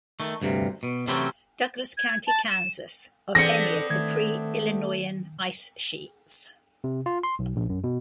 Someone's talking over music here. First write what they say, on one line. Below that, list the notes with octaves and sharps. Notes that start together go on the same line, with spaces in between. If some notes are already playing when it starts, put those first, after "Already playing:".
Douglas County, Kansas, of any of the Pre-Illinoian ice sheets.
D#3 A3
D2 G2 C3
B2
C3 E3 F#3 A3 C4 C#4
G#6
A5
E7
E3 B3 C4 D4 G#4 A4 A#6 C#7
D#3 A3 G#6
C3
F4
C6
B1
A#1
F#2
B2